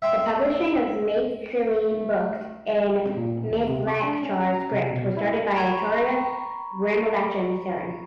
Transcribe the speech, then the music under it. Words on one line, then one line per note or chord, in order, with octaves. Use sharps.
The publishing of Maithili books in Mithilakshar script was started by Acharya Ramlochan Saran.
E5 G5 C6
A3
A#2
D#2
C3
D6
D4
C#4
A#5
C3
B2
E4
A#5 B5 C#6 G#6